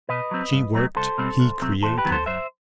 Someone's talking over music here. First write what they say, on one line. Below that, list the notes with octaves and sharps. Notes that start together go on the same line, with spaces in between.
She worked; he created.
B2 B4 D#5
F#3 C4
G2
F#3 A3 C4
C2 A4 C5
B2 G3 C4
C2
C3 F#3 C4
E2 A4 C5
G4 B4
D#3 F#3 B3
A4 C5
F#2 C5 E5